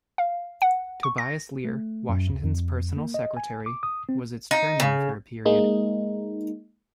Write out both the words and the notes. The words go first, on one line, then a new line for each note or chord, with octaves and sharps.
Tobias Lear, Washington's personal secretary, was its chairman for a period.
F5
F#5
C#6
A#6
A3
F#2
D2
F2
A#3
D#5
G#5
D6
D#6
C4
D#4
C#3
G#3 A#3 D#4